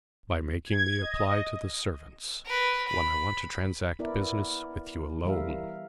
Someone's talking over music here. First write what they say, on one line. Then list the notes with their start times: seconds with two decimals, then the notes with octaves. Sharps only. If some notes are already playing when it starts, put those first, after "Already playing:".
"By making me apply to the servants, when I want to transact business with you alone."
0.66 G#6
0.98 D#5
2.45 A#4 B4
2.87 B5
3.99 B3 E4 A#4 D5
5.25 E3 G3 B3 A#4 E5 F5